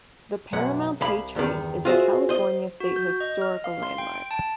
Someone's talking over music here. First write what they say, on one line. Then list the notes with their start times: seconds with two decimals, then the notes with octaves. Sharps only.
The Paramount Hay Tree is a California State Historical Landmark.
0.53 B1 F#2 F#5
1.01 C2 F5 B5
1.36 E2 G2 D#3
1.85 F4 F#4 G#4 C5 E5
2.29 C5 D#5
2.80 F#4
2.96 G6
3.20 D#5
3.42 F6
3.64 F5
3.83 C6
3.98 G5
4.14 D7
4.31 A5